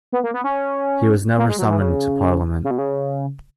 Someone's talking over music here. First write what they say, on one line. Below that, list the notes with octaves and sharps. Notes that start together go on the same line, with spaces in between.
He was never summoned to Parliament.
B3
A#3
B3
C#4
A#3
G#3
F#3
E3
C#3
C#3
B2
C#3